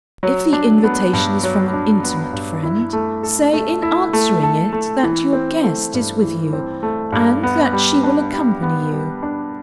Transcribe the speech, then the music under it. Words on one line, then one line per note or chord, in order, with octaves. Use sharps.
If the invitation is from an intimate friend, say, in answering it, that your guest is with you, and that she will accompany you.
F#3
D4
B3
G2
F#3
D4
B3
G2
E4
A3
A4
A3
E4
A3
A4
A3
E3
C4
A3
G2
E3
C4
A3
G2
B3
G3
D4
G3
B3
G3
D4